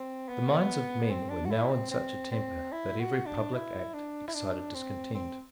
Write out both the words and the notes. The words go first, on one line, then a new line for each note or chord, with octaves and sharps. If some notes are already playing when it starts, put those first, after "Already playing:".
The minds of men were now in such a temper that every public act excited discontent.
Already playing: C4
B3
C4
D4
F#4
E4
C4
C4
C4
E4
F#4
D4
E4
D4
E4
D4
C4
C4